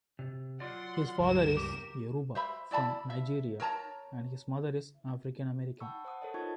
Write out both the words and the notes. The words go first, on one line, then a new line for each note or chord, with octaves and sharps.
His father is Yoruba from Nigeria, and his mother is African-American.
C3
F#3 F4 D5 F#5 C6
C#2 G2 A#4 E7
G4
C5 E5 B5
E4 D5 A5 B5
E5
A#4 C#5 A5 A#5
F#5 G5 A5 B5 C#6 E6
C5 F#5 D#6
A4 A#4 C5 C#5 D#5 A5
D#4 F4 D#5 A5 C#6 G#6